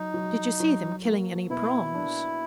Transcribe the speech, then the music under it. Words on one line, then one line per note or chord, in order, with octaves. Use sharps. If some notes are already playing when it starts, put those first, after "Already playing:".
"Did you see them killing any prawns?"
Already playing: F#3 D#4
F#3
F#3
A#3
B2 E4
D4